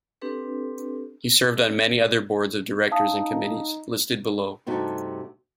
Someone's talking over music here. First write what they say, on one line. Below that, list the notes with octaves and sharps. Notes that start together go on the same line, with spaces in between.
He served on many other boards of directors and committees, listed below.
C4 D4 G4 A4 B4
D#4 F5 A5 D#6
G2 C3 A3 D#4 F#4